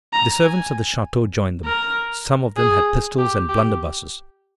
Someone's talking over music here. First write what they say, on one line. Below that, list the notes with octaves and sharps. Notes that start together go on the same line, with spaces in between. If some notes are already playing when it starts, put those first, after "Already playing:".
The servants of the chateau joined them. Some of them had pistols and blunderbusses.
A#5
G#5
A#4
G#4
G4
G4